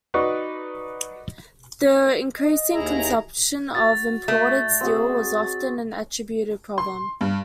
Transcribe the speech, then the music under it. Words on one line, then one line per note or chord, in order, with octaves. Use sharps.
The increasing consumption of imported steel was often an attributed problem.
D#4 F#4 B4 D5 F#5 C#6
D#5
D#2 E4 G#4 A#5
F#4 A6
A3 D5 C#6
C4 F#4 G#4
C6
G2